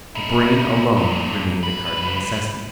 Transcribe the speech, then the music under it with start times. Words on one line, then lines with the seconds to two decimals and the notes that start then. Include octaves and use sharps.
The brain alone remained a cardinal necessity.
0.15 D#4 E4
0.96 G2 A#2
1.63 C#2 B4